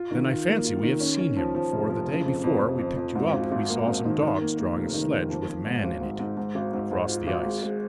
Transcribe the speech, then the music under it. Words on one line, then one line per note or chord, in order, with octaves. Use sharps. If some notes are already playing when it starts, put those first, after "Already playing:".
"Then I fancy we have seen him, for the day before we picked you up we saw some dogs drawing a sledge, with a man in it, across the ice."
Already playing: F4
D#3
F4
A#3
F4
D#3
C#4
C#4
F3
F3
F1
F3
C#3
F2
F2
F2
F2
F2
G#2
G#1
G#1
A#3
G#1
D#3
D#3
A#3
A#3
F1
D#3
D#3
F3
F3
G#2
G#1
G#2
G#2
G#2
G#1
G#2
G#2
F4
G#1
G#3
G#3